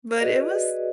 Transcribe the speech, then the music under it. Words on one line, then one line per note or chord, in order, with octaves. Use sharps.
but it was
F#4 G#4 B4 D5 D#5